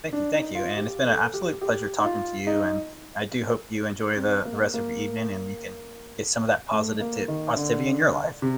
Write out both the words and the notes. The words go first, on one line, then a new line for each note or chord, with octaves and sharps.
Thank you, thank you, and it's been a absolute pleasure talking to you, and I do hope you enjoy the the rest of your evening and you can get some of that positivtiv positivity in your life.
D4
D#4
F4
G4
A4
G4
G4
D#4
F4
D#4
C4
A#3
A#3
A3
A#3
D#3
D3
C3